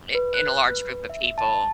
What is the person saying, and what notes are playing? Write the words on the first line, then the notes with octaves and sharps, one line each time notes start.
in in a large group of people
B4
F#6
B4
E5
A5